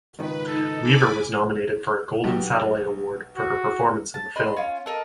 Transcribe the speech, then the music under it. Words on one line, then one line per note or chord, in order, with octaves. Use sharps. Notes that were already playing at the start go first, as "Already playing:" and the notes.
Weaver was nominated for a Golden Satellite Award for her performance in the film.
C#2 G#2 D#3 B4
D#4 A4
G#5 B5 D6
B1 F#4 G4
F#4
A5
D4 D#5 B5 C6
C#4 F4
A4 A#4 D#5